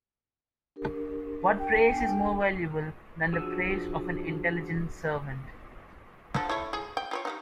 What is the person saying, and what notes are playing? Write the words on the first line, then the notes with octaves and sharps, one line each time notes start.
What praise is more valuable than the praise of an intelligent servant?
D4 G4 A#4
G5
D4 A4 G#5
F3 D4 F#4 G#4 E6
D3 F3 A4
E4 A4 C#5
G#4
G5
F4 B4 C#5
G3 B3 D#4